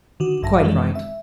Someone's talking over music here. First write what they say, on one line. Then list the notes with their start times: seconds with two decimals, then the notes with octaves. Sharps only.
"Quite right."
0.20 D3 D#3 F#4
0.42 A1 G2 E5 A5 A#6
0.62 F#2 D#3 E3 G#3
0.95 E5